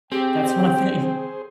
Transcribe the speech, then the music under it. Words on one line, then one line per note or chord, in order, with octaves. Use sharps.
That's one thing.
C4 G4 G#4 C5 G5